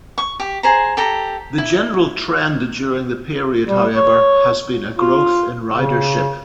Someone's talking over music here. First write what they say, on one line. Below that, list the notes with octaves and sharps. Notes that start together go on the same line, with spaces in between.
The general trend during the period, however, has been a growth in ridership.
C#6
G4
G#4 C5 A#5
G4 A4 A#5
E4
G3
C#5
F4
C#3